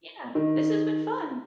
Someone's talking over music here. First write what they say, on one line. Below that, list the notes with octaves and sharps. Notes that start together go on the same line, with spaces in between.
Yeah, this has been fun.
D#3